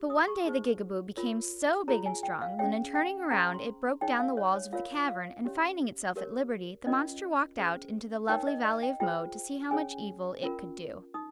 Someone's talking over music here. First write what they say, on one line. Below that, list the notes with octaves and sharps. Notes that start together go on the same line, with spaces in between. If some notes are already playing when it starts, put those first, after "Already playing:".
But one day the Gigaboo became so big and strong that in turning around it broke down the walls of the cavern, and finding itself at liberty, the monster walked out into the lovely Valley of Mo to see how much evil it could do.
Already playing: G4
D#6
C#6
D#4 G#4 C5
F4 A#4 C#5
F4 G#4 C#5 A#5
G#5
G5
F5
C#4 G#4 C#5 G5
G5
C#4 G#4 C5 A#5
C6
D#4 G#4 C#5 G5
F5
C#5
C#5
F4 A#4 C#5 F5
F5
C#4 G4 C#5
G4 A#4 C#5
C#4 F4 A#4 C#5 D#5
C#4 G#4 C5
D#4 A#4 C#5 G5
D#5
D#5
G5
F4 G#4 C5 G5
C#4 G#4 C#5 G#5
C#4 F4 A#4
D#4 D#6